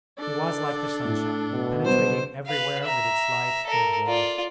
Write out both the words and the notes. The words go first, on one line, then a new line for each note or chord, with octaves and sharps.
She was like the sunshine, penetrating everywhere with its light and warmth.
D4 A4 D5
A2
B2
F#3 G3 B3 C5
B4 F5
E5 A#5
A4 A#4
F4 D5